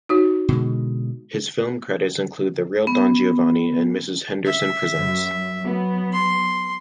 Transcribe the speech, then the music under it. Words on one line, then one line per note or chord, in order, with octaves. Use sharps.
His film credits include "The Real Don Giovanni" and "Mrs Henderson Presents".
D#4 F#4 C#5
B2 D3 G#3
B3
E5
F#2 F#3
F#3 B3
C6